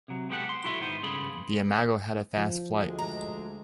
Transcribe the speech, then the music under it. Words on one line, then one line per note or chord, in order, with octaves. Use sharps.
The Imago had a fast flight.
C3 F#3
G#3 B3 G4 A4 F#5
C6
B1 E4 F#4 A4 E5 C6
G#2 D#3 B3 C5
G2 C#3 G#4 A4 B5 C6
F3
D2 G#3
A#5